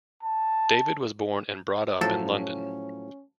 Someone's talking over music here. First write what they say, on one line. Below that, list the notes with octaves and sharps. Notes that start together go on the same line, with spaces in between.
David was born and brought up in London.
A5
A2 F3 F#3 C#4 A4